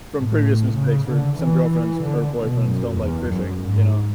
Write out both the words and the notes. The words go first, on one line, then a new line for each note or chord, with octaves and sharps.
from previous mistakes where some girlfriends or boyfriends don't like fishing, you know?
A2
C#3
D3
E3
D3
B2
F#2
E2
F#2
G#2